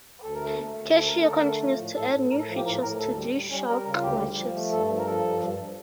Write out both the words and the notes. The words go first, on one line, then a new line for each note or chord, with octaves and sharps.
Casio continues to add new features to G-Shock watches.
D2 A4
A#4
A3 A4
A3
D2
A3 A4
D3 A#4
A4
D3 A#4
A3 A4
F3
A2
A2 A4
A2
A2 A#4
A4
F3
G4
A2 A#4
A2 A#4
D2 A4
G3
G3
G3 C#4
G3 A#4
C#3 A#4
F4
D2 G4
G3
F3
A3
G2 A4
F3
A#4
F3 A4
G2
G2